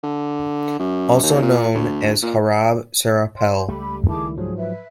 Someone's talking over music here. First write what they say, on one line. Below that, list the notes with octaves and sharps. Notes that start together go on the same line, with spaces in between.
Also known as Harab Serapel.
D3
F#2
D#2
A#2
D2
A#2
C#5 C6
C#2 G3 A3 G4 A4 B5
D#3 E4 G#4 A5 D6
G#2 F3 F#3 G#4
B4 E5